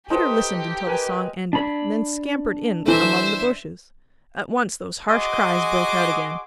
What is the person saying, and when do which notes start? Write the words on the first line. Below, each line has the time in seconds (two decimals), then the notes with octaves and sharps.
Peter listened until the song ended, then scampered in among the bushes. At once those harsh cries broke out again.
0.10 D#4 G4 A4 B4 C5 G5
0.87 A#4 B4 G#5
1.53 D4 B5
2.86 E3 A3 C5 E5
5.08 F#4 G#4 D#5 G#5 C6 D6